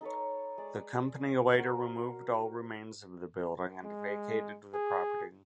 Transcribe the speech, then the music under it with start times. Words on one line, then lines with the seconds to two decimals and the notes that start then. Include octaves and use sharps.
The company later removed all remains of the building and vacated the property.
0.01 D#4 A4 B4 C#5
0.58 G#3 D5
1.56 F#4 A#4 C5
3.84 G#3
4.74 G#4